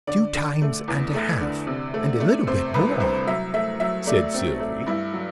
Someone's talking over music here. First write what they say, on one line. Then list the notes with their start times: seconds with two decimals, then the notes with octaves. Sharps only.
"Two times and a half, and a little bit more," said Sylvie.
0.07 D3 D5
0.35 D3
0.62 A3
0.88 E2
1.14 A3
1.41 D3
1.67 C3
1.94 A3
2.20 A3
2.47 C3 C5
2.74 C2 B4
3.00 C2 C5
3.27 F#3 E5
3.54 A3 E5
3.80 F#3 E5
4.07 A3 D5
4.34 C4
4.60 A3
4.86 G2 E4
5.14 F#3